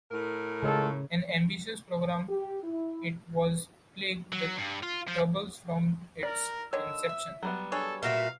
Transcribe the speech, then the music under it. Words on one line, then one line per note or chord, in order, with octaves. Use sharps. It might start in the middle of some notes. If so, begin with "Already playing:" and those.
An ambitious program, it was plagued with troubles from its inception.
A2 A#4
C#3 G#3 F4 A4 C#5
G4
E4
F#3
G2
F4
F3
A#4 D5
D3 D#3 C#5 E6
E5
F#3 G3 B3
D4 G#4 A4 C#5
A#2 F#4 E5 F5